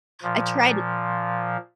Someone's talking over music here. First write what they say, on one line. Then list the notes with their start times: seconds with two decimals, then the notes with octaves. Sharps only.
I tried t
0.23 A#2 F3